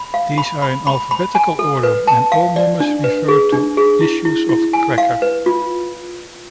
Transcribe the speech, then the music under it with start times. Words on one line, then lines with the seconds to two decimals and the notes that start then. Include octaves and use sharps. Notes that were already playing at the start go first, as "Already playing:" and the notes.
These are in alphabetical order and all numbers refer to issues of "Cracker".
Already playing: B5
0.14 F5
0.38 B5
0.62 B5
0.87 B5
1.11 B5
1.35 G#5
1.59 A4
1.83 B4
2.07 A5
2.32 F5
2.56 D5
2.80 D4
3.04 B4
3.28 G#4
3.52 D4
3.77 G#4
4.01 E4
4.25 E4
4.49 E4
4.73 G#5
4.98 F5
5.22 B4
5.46 F4